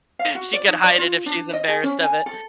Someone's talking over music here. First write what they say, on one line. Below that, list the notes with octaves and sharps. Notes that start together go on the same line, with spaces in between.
she could hide it if she's embarrassed of it.
F5
F#4
D5
D#4
D5
F4
D4
D#5
G#4
C#4
G#5
A4